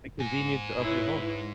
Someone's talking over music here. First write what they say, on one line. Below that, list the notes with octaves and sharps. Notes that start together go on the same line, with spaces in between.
The convenience of your home.
G#2 G#5
E4 B4 C#5